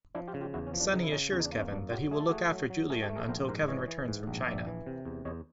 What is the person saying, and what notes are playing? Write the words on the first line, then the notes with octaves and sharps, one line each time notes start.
Sonny assures Kevin that he will look after Julian until Kevin returns from China.
F3 D4 E4
F4 G4
C#3
F4 G4
E2 E4 F#4
C#4
F3
D4
C#3 D#4
E4
C#3 C#4 D#4
E2 C#4
D#4
D4
A#3
C#4
F#2 D4
F#3 F4 G4
A3 G#4
A4
A3 F#4 G#4
F#3
F#3
A3 G#4 A#4
G4 A4
A3
G#4 A#4
A#1 A#4 C5
G#2 A#4 C5
E3 C#5 D#5
E3
G#2
A#1
A#1 D5 E5
E3
C3
E2
E2 C#5 D#5